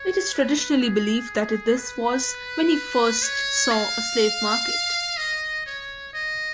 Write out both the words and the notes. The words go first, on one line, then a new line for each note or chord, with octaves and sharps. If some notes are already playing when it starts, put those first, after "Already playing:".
It is traditionally believed that this was when he first saw a slave market.
Already playing: C#5
B4
G#4
B4
C#5
F5
D#5
C#5
D#5